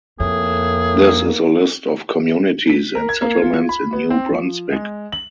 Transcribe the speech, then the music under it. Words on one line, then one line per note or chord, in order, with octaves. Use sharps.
This is a list of communities and settlements in New Brunswick.
F2 A2 A#3 G#4
B6
A#4
G#6
A#3
F4
B5
B3
C4
F3
G#3
F#7